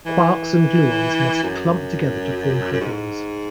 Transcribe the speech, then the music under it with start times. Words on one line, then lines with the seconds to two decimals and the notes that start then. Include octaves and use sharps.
Quarks and gluons must clump together to form hadrons.
0.06 E3
1.43 F#2
2.73 F#2
2.81 G#2